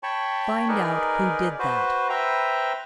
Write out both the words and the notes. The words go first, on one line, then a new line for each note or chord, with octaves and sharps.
"Find out who did that."
C#5 G5 A5 B5 C#6
D#4 G#4 A#4 B4 D5
F#4 B4 C5
B4 C5 E5 G5 A#5